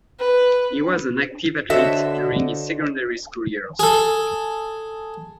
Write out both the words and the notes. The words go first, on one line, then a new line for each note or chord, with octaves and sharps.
He was an active athlete during his secondary school years.
B4
D3 F#4 A4 C5 C#5 D#5 E5
G#4 A4